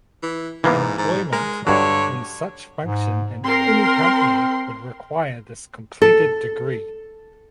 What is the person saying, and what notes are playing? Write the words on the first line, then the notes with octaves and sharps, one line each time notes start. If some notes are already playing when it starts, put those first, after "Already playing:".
An employment in such function in any company would require this completed degree.
E3
G#2 E3 A#3 B3
G#2
G#3 A#4
G2 D3 F#3 C#5
G#2
C4 A#4 C6
A4